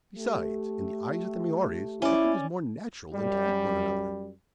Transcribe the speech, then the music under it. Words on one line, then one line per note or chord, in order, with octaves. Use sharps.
Besides, in the eyes of the Maories, nothing is more natural than to eat one another.
A3 G4
C#4 E4 D5
F#2 G3